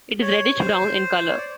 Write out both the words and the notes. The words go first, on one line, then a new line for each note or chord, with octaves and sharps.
It is reddish-brown in color.
C#5
C5
C#5
D5